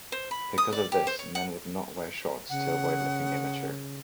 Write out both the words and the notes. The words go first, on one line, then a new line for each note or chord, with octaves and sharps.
Because of this, men would not wear shorts to avoid looking immature.
C5
B5
D#6
D5
G4
C5
C#5
F#5
C#3 F#5